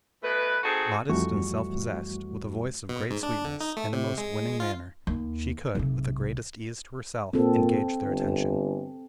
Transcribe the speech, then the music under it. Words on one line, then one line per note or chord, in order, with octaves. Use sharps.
Modest and self-possessed, with a voice of great sweetness, and a most winning manner, she could, with the greatest ease to herself, engage their attention.
B2 A3 B4
C4 D#4 F#4 G#4 A4
F2 E3 G3 A3 F#4 C#6
B2
G#2
D4
D3
D#4
A3
C3
G#3
F4
D#2
B1 C3
A#2 C4 A4
G1